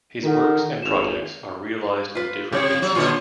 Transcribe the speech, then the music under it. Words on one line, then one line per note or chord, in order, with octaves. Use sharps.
His works and projects are realized in different media.
D#3 F4 A4 F#5
G#1 E7 F7
F4 B4
C3 G4 C#5
F#3 F#4
A#2 D3 F4 G#4 C#5 D#5